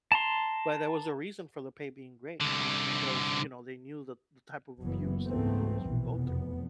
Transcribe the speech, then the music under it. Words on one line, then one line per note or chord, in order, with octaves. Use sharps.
but there was a reason for the pay being great, it's because, you know, they knew that the type of abuse their employees will go through,
A5 A#5 C6
C2 D3
F#1 E3 F#3 B3
C#2 G#2 E3 A3 B3 C4
A#1 E2 B2 E3
F1 E2 B3